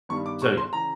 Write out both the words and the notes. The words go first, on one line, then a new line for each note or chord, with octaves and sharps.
So, yeah.
G2 D#3 G3 B3 C#6
D6
C#6
C6
C#3 E3 A#5